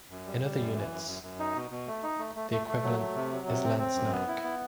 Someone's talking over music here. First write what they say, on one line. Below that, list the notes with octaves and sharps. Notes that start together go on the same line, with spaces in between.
In other units the equivalent is lance naik.
F#2
G3
G3
F#2
E3
F#2
F#2
F#2
D#4
B2
B2
A3
D#4
A3
A3
A3
A3
F#3
A3
C3
F#3
C3
C4
C4
F#2
B3
E4
B3